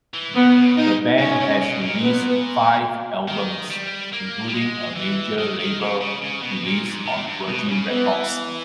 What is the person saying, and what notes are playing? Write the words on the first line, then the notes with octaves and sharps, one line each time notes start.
The band has released five albums including a major label release on Virgin Records.
E3
D#3 B3
C#3
A#2 D#4
G#2 C#4
G#2
B2
A#2
B3
D#3
G3
A#3
G3
G#3
E3
D#3
D#3
C#3
C#3
C#3
B2
A#2
G#2
A#2
G2
B2
C#3
E3 B3